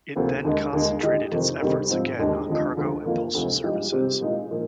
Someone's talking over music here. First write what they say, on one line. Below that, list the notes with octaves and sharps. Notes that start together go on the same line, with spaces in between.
It then concentrated its efforts again on cargo and postal services.
D2 C3 F3 A#3
D#2 D3 G#3
D#2 D3 G#3
D3 G#3 D#4 G4
F2 C3 D#3
D2 C3 D#3 G3
G#2 F3 C4
D#2 D3 G#3 D4 G4
F2 D3 F3 G#3 D4
D2 D3 F3
F2 D#3 A#3 F4
D2 C3 F3 G#3
G2 F3 G#3 D#4 G4
C3 G3 C4 G4
A#2 G#3 D#4
A#2 F3 A#3 D#4